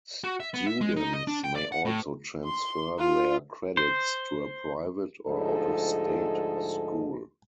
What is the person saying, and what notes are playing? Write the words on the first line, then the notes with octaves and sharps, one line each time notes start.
Students may also transfer their credits to a private or out-of-state school.
F#4
E5
B3
E5
G#3
D#4
D#5
D4
G5
D5
F#5
A2
C6
F4
C5
D2 G#2 F3 G#4 A4 D#5